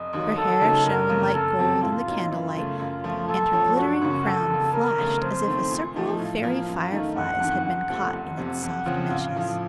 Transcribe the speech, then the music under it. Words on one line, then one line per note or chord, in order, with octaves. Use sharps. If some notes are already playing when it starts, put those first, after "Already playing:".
Her hair shone like gold in the candlelight, and her glittering crown flashed as if a circle of fairy fireflies had been caught in its soft meshes.
Already playing: F1 D#5
D#2 D#3 F#3
D#2 A4
C#3 F#3 A3 D#4
F#1 A#4
F2 C#3 A3
F#1 A4
F2 C3 F#3 C4
A2 F4
F#3 A#3 D#4
F#2 F4
C#3 A3
F#2 F4
F3 A3
A#2 A4
F3 A3 C#4
F#1 F#4
F#2 C#3
F1 A4
D#2 C#3
F1 A#4
D#2 C#3 A3
F2 C5
D#3 A3 C4
A#2
F3 A3 D#4
A2 F5
F3 A#3 F4
F#2
D#3 A3 D#4
F#1 F#5
F2 D#3
F#1 F#5
F2 C3 F3 A3
F1 F#5
F2 C3
F2
C#3 F3 C4 F4
A1 F5
A2 F3